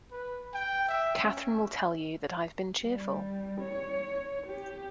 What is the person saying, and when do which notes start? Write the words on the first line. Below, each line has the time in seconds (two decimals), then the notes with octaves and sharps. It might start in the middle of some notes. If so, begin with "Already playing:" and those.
Catherine will tell you that I have been cheerful.
0.11 B4
0.54 G5
0.88 E5
1.20 C#4
2.83 G3
3.61 C#5
4.46 G4